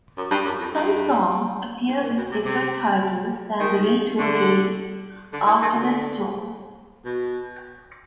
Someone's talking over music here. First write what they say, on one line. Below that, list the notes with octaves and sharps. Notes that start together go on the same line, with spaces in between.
Some songs appear with different titles than the re-tooled release, "After the Storm".
F#2
G2
F#2
F2
G2
G#2
A#2
B2
C3
C3
D#3
D3
D3
E3
D#3
D3
B2